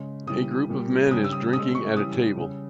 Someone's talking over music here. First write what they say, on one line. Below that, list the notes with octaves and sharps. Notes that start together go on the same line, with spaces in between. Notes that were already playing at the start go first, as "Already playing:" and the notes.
A group of men is drinking at a table.
Already playing: C#3 G#3
C#3 E3 G3 D#6
A#2 G3
C#3 G3 D#6
E6
D#6
C#3 D#6
G#3
C#6
C#3 E3 G3 D#6
C#3 G3